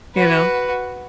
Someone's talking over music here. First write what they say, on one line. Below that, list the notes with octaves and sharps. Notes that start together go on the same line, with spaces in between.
You know?
F#4 B4